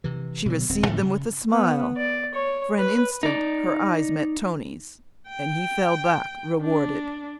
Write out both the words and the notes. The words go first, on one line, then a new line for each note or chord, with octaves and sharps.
She received them with a smile; for an instant her eyes met Tony's, and he fell back, rewarded.
C3 E3
B2 D3 F#3
D1 C4
G#2 D3 F#3 A3
C#3
B3
D5
C#5
B4
D#4 D5
G5
D4